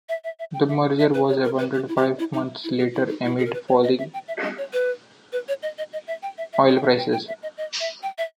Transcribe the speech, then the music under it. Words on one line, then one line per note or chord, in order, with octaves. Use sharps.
The merger was abandoned five months later amid falling oil prices.
E5
E5
E5
G5
E5
E5
B4
C#5
A#4
B4
G4
E4
G4
E4
D#4
E4
G4
E4
D#4
E4
G#4
A#4
B4
C#5
D#5
E5
G5
E5
D#5
C#5
B4
B4
C#5
D#5
D#5
D#5
E5
G5
E5
E5
C#5
G5
E5
G5
G5
E5
D#5
D#5
E5
G5
E5